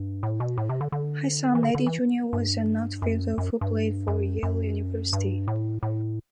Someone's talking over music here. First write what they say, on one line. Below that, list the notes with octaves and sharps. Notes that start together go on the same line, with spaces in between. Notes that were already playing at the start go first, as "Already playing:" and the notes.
His son, Eddie Junior was an outfielder who played for Yale University.
Already playing: G2
A2
B2
A2
C3
D3
D3
E3
D3
D3
E3
G2
F#2
F#2
G2
F#2
F#2
G2
A2
A2